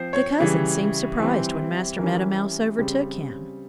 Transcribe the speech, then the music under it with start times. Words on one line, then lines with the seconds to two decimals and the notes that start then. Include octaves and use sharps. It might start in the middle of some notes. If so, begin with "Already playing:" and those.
The cousin seemed surprised when Master Meadow Mouse overtook him.
Already playing: F3 C4 C5
0.13 C#5
0.40 C#3 E3 G3
1.19 E3 G3 C4
1.98 E3 G3 C#4 A#4
2.78 C#3 G3 C4